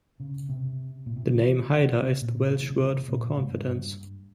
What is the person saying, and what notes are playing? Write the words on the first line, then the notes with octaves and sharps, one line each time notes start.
The name Hyder is the Welsh word for "confidence".
C#3
C3
A#2
C3
C#3
E3
C#3
C3
A#2
C3
E3
C#3
C3
A#2
G#2
G2